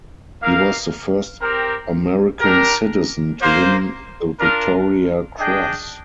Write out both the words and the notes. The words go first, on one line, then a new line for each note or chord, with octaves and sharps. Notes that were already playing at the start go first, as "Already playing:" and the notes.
He was the first American citizen to win the Victoria Cross.
A#3 D#4 A#4 F5
C4 G4 A#4
D4 G4 A#4
A#3 F4 C5
D4 F4 A#4
D4 G#4 D#5 G5